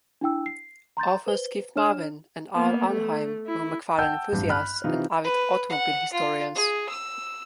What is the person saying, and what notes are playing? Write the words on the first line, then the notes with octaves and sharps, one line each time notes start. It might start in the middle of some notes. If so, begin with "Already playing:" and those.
Authors Keith Marvin and Al Arnheim were McFarlan enthusiasts and avid automobile historians.
D4 E4 G5 E6
C7
A#5 C6 G6 A6
B4 C5 G7
D4 C#5 F6 E7
A#3 B3
A3
E4
F#5 G5 A5 E6 G6
A1 G2
B5 F6 F#6
C3 E3 D#4 F4
B4
F#5
F4
G#4
E6